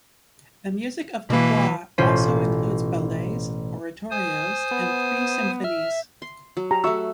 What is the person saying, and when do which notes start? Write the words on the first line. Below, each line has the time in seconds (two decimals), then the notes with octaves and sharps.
The music of Dubois also includes ballets, oratorios and three symphonies.
1.30 B2 E3 A#3
1.98 A1 B2 C#4 F4 C5 B6
4.11 C5 G#5 D#6
4.71 B3
5.64 E5 F6
6.22 C6
6.57 F#3
6.71 G4 A#5
6.84 A3 F#4 E5 C#6 E6